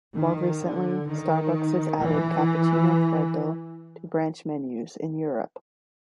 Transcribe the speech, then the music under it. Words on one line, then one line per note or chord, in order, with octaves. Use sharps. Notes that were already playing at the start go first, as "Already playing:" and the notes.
More recently, Starbucks has added Cappuccino Freddo to branch menus in Europe.
D#3
D3
D#3
E3